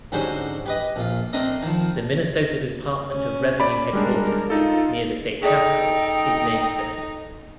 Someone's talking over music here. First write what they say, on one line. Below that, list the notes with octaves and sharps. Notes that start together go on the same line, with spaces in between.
The Minnesota Department of Revenue headquarters near the State Capitol is named for him.
G#2 D3 F#3 C#4 G4 C5
G4 B4 D#5
A#1 F4
A3 C4 D4 A#4 D#5
D#3 F3
C#4
D5 B5
G3 G#3 D4 A#4
D#4 F4 A4
D#4 G#4 A4 D5 G5